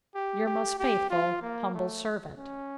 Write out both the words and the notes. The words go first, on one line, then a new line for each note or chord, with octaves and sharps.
'Your most faithful humble servant.'
G4
G4
G4
F4
A#3
A3
C#4